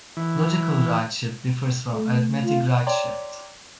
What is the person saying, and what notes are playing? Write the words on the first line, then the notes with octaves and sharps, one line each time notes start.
Logical right shift differs from arithmetic right shift.
E3
A3
F4
C#5 D5 G5 A#5 C6 D6